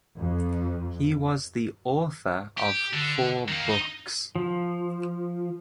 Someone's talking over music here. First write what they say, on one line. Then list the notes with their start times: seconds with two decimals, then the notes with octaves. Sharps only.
He was the author of four books.
0.17 F2
2.58 G4
2.93 D3
3.49 D#3 A#3
3.69 D#4
4.36 F3